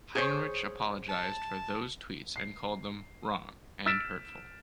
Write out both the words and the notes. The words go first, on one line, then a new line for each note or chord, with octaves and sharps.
Heinrich apologized for those Tweets and called them "wrong and hurtful".
G#4 C5 C#5
A5
C7
E6 F6 A6 B6 D7 E7